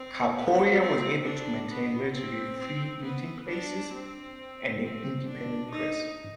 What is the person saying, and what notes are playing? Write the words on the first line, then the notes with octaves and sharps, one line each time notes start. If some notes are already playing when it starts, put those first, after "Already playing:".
Cachoeira was able to maintain relatively free meeting places and an independent press.
Already playing: C4
B3
C4
D4
B3
C4
C4
B3
D4
C4
C4
D4
D#4